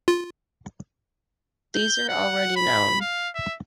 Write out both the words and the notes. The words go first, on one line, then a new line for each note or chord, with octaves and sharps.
These are already known.
F4
G6
F#5
B5
F5
E5